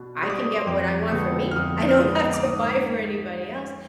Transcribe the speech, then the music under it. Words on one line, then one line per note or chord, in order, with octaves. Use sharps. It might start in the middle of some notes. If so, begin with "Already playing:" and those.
I can get what I want for me. I don't have to buy for anybody else."
Already playing: B2 D4
G3 D4 D#6
D6
D#6
C6
F2 D6
D3 G#3 B3 D4 D#6
F6
F2 D#6
F6
D3 G#3 B3 D4 D#6
D6
G#2 D#6